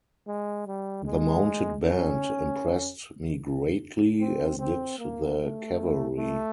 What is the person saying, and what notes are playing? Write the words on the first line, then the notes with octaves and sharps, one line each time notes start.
The mounted band impressed me greatly, as did the cavalry.
G#3
G3
G#3
C#4
C4
C4
A#3
A3
A3